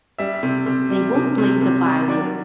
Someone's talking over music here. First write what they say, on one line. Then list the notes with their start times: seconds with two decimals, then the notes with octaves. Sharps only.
They both played the violin.
0.18 G3 E5
0.43 C3
0.66 C3
0.90 G3
1.14 C3
1.38 C3
1.61 C3
1.85 G3
2.08 F#3 D5